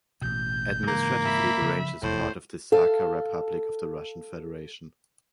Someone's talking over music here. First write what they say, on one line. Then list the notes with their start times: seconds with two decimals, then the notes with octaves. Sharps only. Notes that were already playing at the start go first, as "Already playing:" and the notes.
Administratively the range is part of the Sakha Republic of the Russian Federation.
0.22 A1 B2 G6
0.88 G#2 C#3 E3 A#3
1.25 E5 B5
1.62 C#3 F3
2.03 F1 E2 A2 C5
2.72 A4 F5